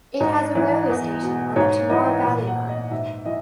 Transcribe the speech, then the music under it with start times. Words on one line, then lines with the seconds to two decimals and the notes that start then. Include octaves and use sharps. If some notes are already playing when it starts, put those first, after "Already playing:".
It has a railway station on the Tamar Valley Line.
0.20 G#2 D#5
0.55 E3
0.89 E2
1.22 B2
1.56 G#2 C#5
1.90 E3 D#5
2.24 A#2
2.47 F#5
2.69 D#5
2.91 G#2 E5
3.25 E3 D#5